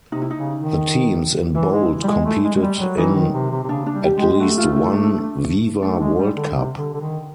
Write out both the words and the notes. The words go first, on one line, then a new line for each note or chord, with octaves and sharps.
The teams in bold competed in at least one Viva World Cup.
C3 D#4
E4
D#4
C#3
D#3
E3 E4
G#3
G3
G#3
A3
G#3
G#3
G3
F#3
E3 D#4
D#3
C3
C3
C3
C#3 D4
D4
G3
G4
G#3
G4
G#3
A3 F#4
F4
E4
D4
A3 D4
G#3
G3
D3
C3
D3
D3
D#3